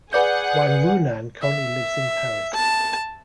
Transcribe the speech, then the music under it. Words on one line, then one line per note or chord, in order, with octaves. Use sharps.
Wan Runnan currently lives in Paris.
G#4 B4 D5 F#5 G6
E5
A5